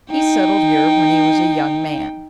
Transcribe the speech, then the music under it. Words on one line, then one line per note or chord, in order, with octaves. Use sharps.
He settled here when he was a young man.
D#4 G5